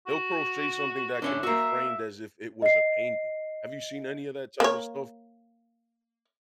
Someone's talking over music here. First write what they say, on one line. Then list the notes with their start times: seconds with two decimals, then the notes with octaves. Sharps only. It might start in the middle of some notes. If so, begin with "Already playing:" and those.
they'll crochet something that could be framed as if it was a painting. Have you seen any of that type of stuff?
0.07 F#4
1.22 D3 C#4 D4 E4
1.43 A#3 F#4 E5
2.62 D#5 C7
4.60 A#3 C#5